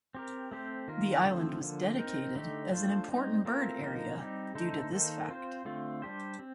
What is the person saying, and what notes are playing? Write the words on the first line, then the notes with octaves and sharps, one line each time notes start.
The island was dedicated as an Important Bird Area due to this fact.
C4 G4 A#4
A3 C4 G4 C5
D#3 A#3 F4 A#4
D3 F3 A3 C4
D3 F3 A#3
C4 D#4 A#4
D3 A3 D#4 G4
A3 D4 F4 C5
G3 C4 D#4
A3 C4 F4 A#4
D3 F3 A#3 D#4 A#4
G3 C4 D#4 G4
D3 A3 D#4 A4 C5
D#3 A#3 D#4 A4 C5
C4 F4 C5
D3 A3 C4 F4
G3 D4 G4 C5
C4